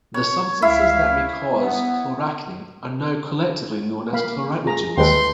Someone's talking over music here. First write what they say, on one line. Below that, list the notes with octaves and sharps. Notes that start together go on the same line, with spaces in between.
The substances that may cause chloracne are now collectively known as chloracnegens.
C#5
C#2 E4 E5 F5
B3
A#3 F5 B5
F4 G#4 A#5
D#2 G#3 A4 B4 G5 C6